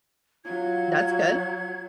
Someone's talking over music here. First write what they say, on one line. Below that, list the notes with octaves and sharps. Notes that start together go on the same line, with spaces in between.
That's good.
F#3 F4 G#6